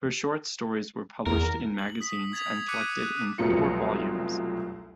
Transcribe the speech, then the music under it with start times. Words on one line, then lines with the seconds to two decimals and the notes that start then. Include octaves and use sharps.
Her short stories were published in magazines and collected in four volumes.
1.26 E2 A#4
1.78 F#7
2.00 D#6 B6
2.32 D#6 G#6 A6 B6 F7
2.68 D6 F#6 G#6 B6 C#7 D#7
3.03 F#6
3.38 F1 C2 B2 F#3 F4 C#7